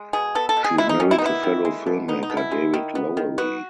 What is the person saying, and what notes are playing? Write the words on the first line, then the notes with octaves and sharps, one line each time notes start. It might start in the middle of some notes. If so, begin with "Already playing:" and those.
She is married to fellow filmmaker David Lowery.
Already playing: G#3
B2 G#4
B3 A4
A4
B2
G#4
G#3 E4
D#4
D#3 C#4
E4
D#4
B3 E4
D#3
G#3
B2
B3 D#4
D#4
B2
E4
G#3
D#3
B3
D#3
B3 F#4